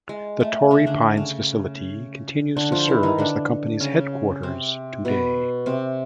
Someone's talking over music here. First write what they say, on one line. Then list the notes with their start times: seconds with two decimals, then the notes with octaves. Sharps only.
The Torrey Pines facility continues to serve as the company's headquarters today.
0.09 G#3
0.40 A3
0.71 C#3 C#4
0.86 D3 D4
1.17 C#3 C#4
2.57 D3 D4
2.72 F3 F4
2.88 E3 E4
3.03 D#3 D#4
3.18 D3 D4
3.80 C#3 C#4
4.43 C3 C4
5.05 B2 B3
5.66 C3 C4